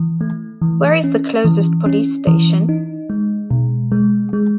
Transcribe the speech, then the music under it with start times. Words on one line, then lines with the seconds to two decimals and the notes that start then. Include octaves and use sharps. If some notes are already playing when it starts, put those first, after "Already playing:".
Where is the closest police station?
Already playing: E3
0.21 A3
0.62 E3
1.04 C#4
1.44 E3
1.86 C#4
2.27 E3
2.69 D#4
3.10 G#3
3.51 B2
3.92 G#3
4.33 G#3